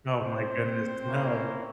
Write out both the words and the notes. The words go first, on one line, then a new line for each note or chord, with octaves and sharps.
Oh my goodness. No.
C4 C5
A#3 C#4 E4